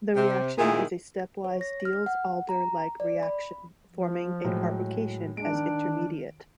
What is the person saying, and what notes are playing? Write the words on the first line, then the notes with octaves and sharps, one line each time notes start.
The reaction is a stepwise Diels-Alder like reaction, forming a carbocation as intermediate.
C3
A#2 D#3 E4 G#4
C#5
A#6
F6
F#5
A#5
D5
B5
F3
A2 F#3 G#3
G#3 D4 D7
D#3